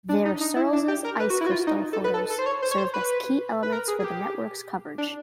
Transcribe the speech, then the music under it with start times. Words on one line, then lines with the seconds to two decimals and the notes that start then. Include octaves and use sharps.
There Searls' ice crystal photos served as key elements for the network's coverage.
0.09 D4
0.25 D#4
0.41 D#4
0.56 E4
0.73 D4
0.88 G4
1.04 A#4
1.20 B4
1.30 F#4
1.41 E4
1.46 F#4
1.51 F4
1.67 D#4
1.93 A4
2.04 B4
2.14 A4
2.30 A4
2.39 C5
2.46 C#5
2.62 C5
2.71 C#5
2.78 C5
2.94 B4
3.63 B4
3.72 A#4
3.88 G#4
4.00 G#4
4.04 G4
4.98 D4